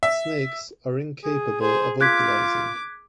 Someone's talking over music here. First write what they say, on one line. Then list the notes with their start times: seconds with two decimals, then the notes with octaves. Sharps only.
Snakes are incapable of vocalising.
0.03 E5
1.24 G#4
1.61 G#4 C5
2.01 F4 D6 F#6 G#6 B6